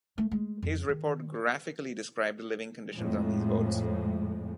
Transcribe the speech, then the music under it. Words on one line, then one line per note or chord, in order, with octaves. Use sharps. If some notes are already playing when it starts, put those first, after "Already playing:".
His report graphically described living conditions on these boats.
A3
G#3
F2
D#3
F2 A2 G#3